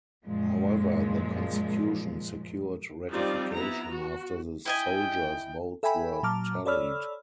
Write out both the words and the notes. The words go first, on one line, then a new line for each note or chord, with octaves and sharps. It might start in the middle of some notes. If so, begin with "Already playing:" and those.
However, the constitution secured ratification after the soldiers' votes were tallied.
F#2 A#2 F3 G#3
F3 G3 C4 D#4 F4 D5
B3 E4 A#5
F#4
E4 D#5 G5 G#5
A4 E5 G5 G#5 B5
A#2 F#3 A5 A#5 D6 F6
A4 C#5 D5 B5 E6 F6